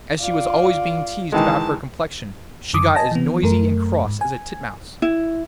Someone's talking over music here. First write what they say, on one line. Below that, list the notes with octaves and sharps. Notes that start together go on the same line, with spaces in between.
As she was always being teased about her complexion, she got as noisy and cross as a titmouse.
F4 D5
D#3 E3 G#3 A5
F#2 D3 D6 D#6
D#5 G#5 A5 A#6
E3 B3
F#2 A3 A#4
G#2
G#5
E4